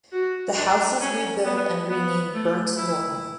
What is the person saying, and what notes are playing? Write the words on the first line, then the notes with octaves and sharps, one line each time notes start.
The house was rebuilt and renamed Burnt Norton.
F#4
D4
C#4
B3
B3
A3
E4